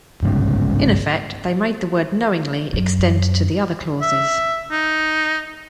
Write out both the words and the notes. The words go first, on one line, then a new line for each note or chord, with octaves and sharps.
In effect, they made the word "knowingly" extend to the other clauses.
G1 C2 G#2 C#3
F#2
E5
D#4